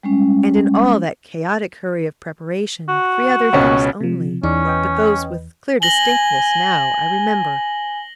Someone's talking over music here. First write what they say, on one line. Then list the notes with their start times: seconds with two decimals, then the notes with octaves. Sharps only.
And in all that chaotic hurry of preparation, three other things only, but those with clear distinctness now, I remember.
0.03 G3 G#3 C#4
2.89 F#4
3.53 C#2 B2 C#4
4.01 C3 F3
4.43 E2 C#4 D#4 D5
4.65 B4 D#5 G5
5.82 G#5 A#6 F#7 G7